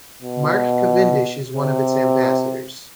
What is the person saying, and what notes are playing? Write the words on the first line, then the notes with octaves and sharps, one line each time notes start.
Mark Cavendish is one of its ambassadors.
B2
C3